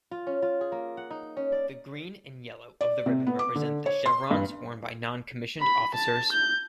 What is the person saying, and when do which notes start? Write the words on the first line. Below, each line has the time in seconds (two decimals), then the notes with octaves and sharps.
The green and yellow of the ribbon represent the chevrons worn by noncommissioned officers.
0.11 F4
0.27 C#4
0.42 F4
0.61 G#4
0.72 A#3
0.97 F#5
1.11 D#4
1.37 C#4
1.52 D5
2.81 D5
3.06 C3
3.27 B3
3.39 D6
3.55 D3
3.86 C#5
4.06 C6
4.31 G2
5.61 B5
5.94 A5
6.33 G6